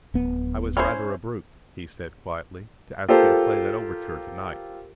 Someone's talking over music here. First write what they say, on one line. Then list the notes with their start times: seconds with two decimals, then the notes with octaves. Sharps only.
"I was rather a brute," he said quietly, "to ask you to play that overture to-night."
0.14 D1 B3
0.77 C#4 E4 C5
3.09 F4 G4 A4 A#4 C5